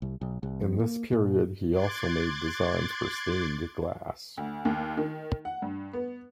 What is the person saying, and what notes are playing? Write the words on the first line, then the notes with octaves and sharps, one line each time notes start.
In this period he also made designs for stained glass.
C2
B1
C2
F2
A#3
A#2
C6 D6 F#6 G#6 A6
D2
D#2
D#3
F#5
G2
B3